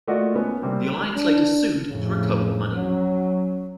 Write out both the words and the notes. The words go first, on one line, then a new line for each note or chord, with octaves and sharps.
The Alliance later sued to recover the money.
A3 A#3 F4 F#4 D5 D#5
B3 C#4
C3 G3 A#3 C4
D4
F2 A2 C#3
F#3 C#4